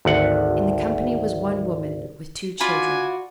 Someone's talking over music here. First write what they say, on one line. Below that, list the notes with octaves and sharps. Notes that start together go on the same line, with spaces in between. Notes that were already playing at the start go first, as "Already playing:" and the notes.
In the company was one woman, with two children.
G#1 D2 F#5
F4 F#4 D5 G#5 B5